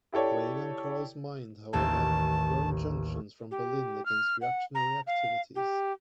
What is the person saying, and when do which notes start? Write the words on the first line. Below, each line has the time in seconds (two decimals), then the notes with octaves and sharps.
Weighing on Kahr's mind however, were injunctions from Berlin against reactionary activities.
0.12 E4 G4 A4 C#5 D5
1.73 A1 D#2 A#3 A5
3.51 G4
4.06 F6
4.41 F#5
4.75 A#5
5.07 F5
5.55 G4